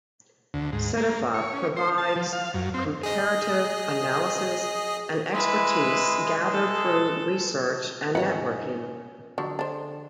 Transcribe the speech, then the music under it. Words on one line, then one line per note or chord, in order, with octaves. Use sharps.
Cedefop provides comparative analyses and expertise gathered through research and networking.
D2
G#2
A#3
C#5
C#4
C5
A5
F3
F5
F#2
C4
G#4 D#5
G#3 E4 B4
A4
G#1 D#2 C#4 D#4 B4 C#5 F#5
D3 F3 F#3 D4
D4 C5